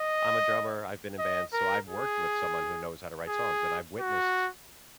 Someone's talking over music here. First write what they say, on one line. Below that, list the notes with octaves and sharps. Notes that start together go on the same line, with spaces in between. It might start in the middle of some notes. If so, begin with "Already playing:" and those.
I'm a drummer, I've been in bands, so I've worked with someone who knows how to write songs and I've witnessed
Already playing: D#5
D#5
A#4
G#4
G#4
F#4